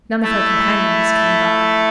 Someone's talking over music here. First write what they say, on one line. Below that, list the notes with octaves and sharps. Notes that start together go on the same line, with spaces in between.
None of her companions came by.
A3 E4 A4